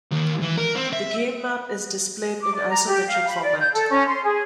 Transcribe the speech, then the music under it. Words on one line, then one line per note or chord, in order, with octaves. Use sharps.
The game map is displayed in isometric format.
D#2
E3
A#4
C4
E5
D6
D5
A#5
G4
F5
B5
D5
G6
A4
C#4
C6
G#4